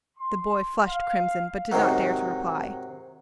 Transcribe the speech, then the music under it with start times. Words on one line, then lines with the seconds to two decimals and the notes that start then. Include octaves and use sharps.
The boy flushed crimson but did not dare to reply.
0.17 C6
0.88 F5
1.72 G#2 C3 D#3 F#3